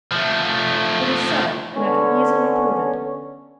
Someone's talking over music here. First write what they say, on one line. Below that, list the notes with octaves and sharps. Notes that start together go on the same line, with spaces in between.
It is so, and I can easily prove it.
F3 A3
D3 B3 C#4